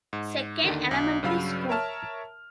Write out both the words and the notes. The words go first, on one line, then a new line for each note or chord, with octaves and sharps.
Second: elementary school.
G#2
D#2 D3 D#3
B1
G2 C#3 F#3 F5 B5 E6
A#4 C#5 E5 A5 F6